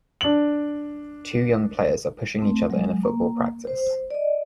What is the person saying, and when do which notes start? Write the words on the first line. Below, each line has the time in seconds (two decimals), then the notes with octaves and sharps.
Two young players are pushing each other in a football practice.
0.21 D4 F#7
2.39 A3 C4
2.70 F#3 G#3
3.03 A#3
3.67 C5
4.10 D5 D#5